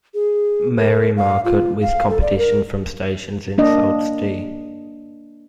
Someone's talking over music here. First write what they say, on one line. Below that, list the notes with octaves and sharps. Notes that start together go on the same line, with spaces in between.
Marie market, with competition from stations in Sault Ste.
G#4
A#4
F5
F4
F5
A4
D5
A#4
A#3 D4 D#5